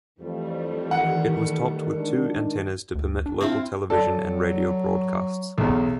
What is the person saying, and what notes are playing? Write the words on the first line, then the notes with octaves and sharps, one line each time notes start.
It was topped with two antennas to permit local television and radio broadcasts.
F2 E3 G3 A3
D#3 F#5
G#3 D4
D2
D4
C4 E4 F4
F#3 A4 D5
B1 E2